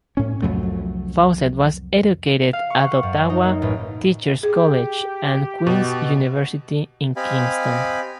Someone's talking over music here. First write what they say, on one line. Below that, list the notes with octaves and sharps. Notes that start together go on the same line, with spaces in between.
Fawcett was educated at Ottawa Teachers' College and Queen's University in Kingston.
A2 C#4
C2 F2 F#3 A3
F5
C#6
F#5
F#2
D#4
A#3
A1
G4 G#4
B2
C4 G4 D#5 F5 G#5 B5